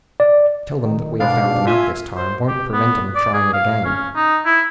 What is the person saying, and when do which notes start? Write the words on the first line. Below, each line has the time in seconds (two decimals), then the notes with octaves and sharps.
To tell them that we have found them out this time won't prevent 'em trying it again.
0.20 D5
0.85 D#3
1.20 G#2 B2 D4 F5
1.66 F4 E5 G#5
2.17 C5
2.47 G4
2.73 B3
3.15 D5
3.34 G#4
3.53 F5
3.85 C#4
4.15 D#4
4.46 E4